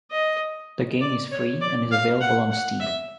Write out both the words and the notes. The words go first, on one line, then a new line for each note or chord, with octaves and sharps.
The game is free and is available on Steam.
D#5
D5
C#5
D5
F5
F#5
F#5
E5